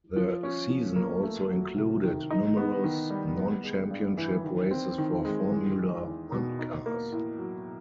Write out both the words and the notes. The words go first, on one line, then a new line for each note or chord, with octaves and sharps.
The season also included numerous non-championship races for Formula One cars.
F3
C#4
F3
A#3
A3
F#3
C3
D#3
D#4
B3
D#3
G3
B3
G#3
G2
E3
D#3
C4
D#3
G#3
E2
G#3
E2
B2
D#4
A#3
A2
F#3